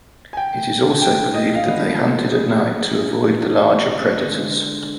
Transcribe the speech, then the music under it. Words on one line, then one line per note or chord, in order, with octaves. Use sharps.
It is also believed that they hunted at night, to avoid the larger predators.
G#5
G5
G5
D#5
F5
D3 F3 G#3 B3 D4 D#5
C5
G#4
G#4
D3 G#3 D4